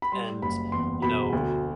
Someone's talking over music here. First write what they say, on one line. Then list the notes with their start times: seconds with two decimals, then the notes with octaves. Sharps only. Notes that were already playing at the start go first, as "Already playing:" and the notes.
and, you know,
0.02 B5
0.12 G3 C6
0.42 F#1 B5
0.72 E2 C6
1.02 B2 B5
1.33 D2